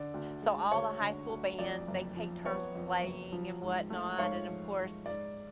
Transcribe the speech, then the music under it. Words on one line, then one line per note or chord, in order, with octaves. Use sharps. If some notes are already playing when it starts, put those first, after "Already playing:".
So, all the high school bands, they take turns playing and whatnot, and, of course,
Already playing: D3 D5
D2
G#3
D2 C#5
D3
D2
F2 D5
F#1
F3
B3 C#5
F2
F#1
F3
G#2
A3
G#2 C#5 F5
F3
G#2
G#2 D5